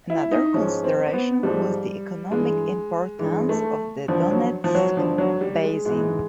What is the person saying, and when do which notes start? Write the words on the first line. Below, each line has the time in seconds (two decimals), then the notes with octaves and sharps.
Another consideration was the economic importance of the Donetsk basin.
0.10 E4
0.31 D#4
0.54 G#2 F3 C#4
0.84 C4
1.06 C4
1.13 B3
1.43 G#2 F3 G3
2.31 G2 E3 G#3
3.19 G2 E3 G#3
3.49 A3
4.08 G2 D3 F3
4.31 F#3
4.64 F3
4.75 F#3
4.97 G2 D3 F3
5.18 F#3
5.41 G3
5.64 G#3
5.85 G#2 E3 G#3